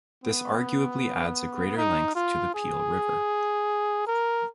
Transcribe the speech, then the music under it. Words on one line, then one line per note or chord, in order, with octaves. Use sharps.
This arguably adds a greater length to the Peel River.
B3
D#4
F4
G#4
A#4